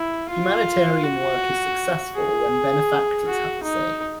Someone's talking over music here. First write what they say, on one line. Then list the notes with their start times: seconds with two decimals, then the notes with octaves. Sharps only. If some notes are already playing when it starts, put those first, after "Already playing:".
Humanitarian work is successful when benefactors have a say.
Already playing: E4
0.29 F4
1.04 F#4
2.15 G#4
3.27 F#4
3.63 D#4